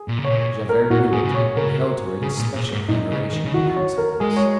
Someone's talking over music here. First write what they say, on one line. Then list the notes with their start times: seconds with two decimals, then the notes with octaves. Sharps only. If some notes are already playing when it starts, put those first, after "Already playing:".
Javert knew it, and held her in special veneration in consequence.
Already playing: G#4
0.08 A#2
0.19 C#3
0.25 A#2 C#5
0.69 A#4
0.90 A#2 F#4
1.12 G#2 G#4
1.25 C#3
1.35 A#2 C#5
1.56 C#3 A#4
2.22 C#3 G#4
2.39 A#2
2.55 A#2
2.72 G#2
2.88 A#2 D#4
3.11 C#3
3.32 D#3
3.45 C#3
3.54 D#3 F#4
3.76 C#5
3.98 A#4
4.20 G#3 G#4
4.37 C#5